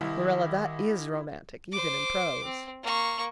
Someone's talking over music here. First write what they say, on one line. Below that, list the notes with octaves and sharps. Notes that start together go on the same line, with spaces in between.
Marilla, that IS romantic, even in prose.
C2 D#3 E4 G4 D#5
C5 D6
C4
A#3 C#6